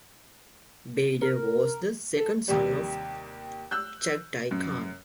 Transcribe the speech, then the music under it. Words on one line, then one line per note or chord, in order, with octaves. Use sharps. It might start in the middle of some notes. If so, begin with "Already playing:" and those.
Baidar was the second son of Chagatai Khan.
A#4
A4
D#2 C3 G3
E6 F#6 G6
F#2